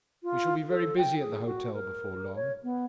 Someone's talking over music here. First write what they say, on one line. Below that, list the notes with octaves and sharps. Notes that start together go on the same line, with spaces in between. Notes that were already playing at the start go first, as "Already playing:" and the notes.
We shall be very busy at the hotel before long.'
F4
A4
G5
G#4
F#4
A#4
C#5
B3